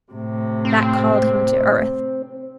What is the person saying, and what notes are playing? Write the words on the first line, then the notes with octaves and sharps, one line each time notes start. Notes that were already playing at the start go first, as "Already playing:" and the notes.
That called him to earth.
A2 C3
C4